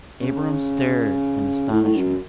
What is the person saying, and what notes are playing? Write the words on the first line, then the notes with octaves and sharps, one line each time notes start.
Abram stared in astonishment.
C#3
A2
A2
F#2